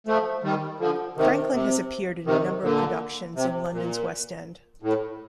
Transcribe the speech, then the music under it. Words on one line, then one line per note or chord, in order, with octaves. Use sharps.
Franklin has appeared in a number of productions in London's West End.
F3 A3
D#3 G3
D3 F3
C3 D#3
C3
C3 D#3
A#2 D3
C3
A#2
A2